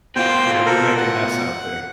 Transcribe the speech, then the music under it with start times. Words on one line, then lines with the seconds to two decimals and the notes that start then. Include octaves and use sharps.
Yeah, we make a mess out there.
0.16 B2 F4 C5 G5
0.66 A4 A#4 C5
0.97 F#5